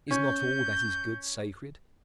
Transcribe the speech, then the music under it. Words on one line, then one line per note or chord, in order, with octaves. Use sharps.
Is not all that is good sacred?
C#4 G6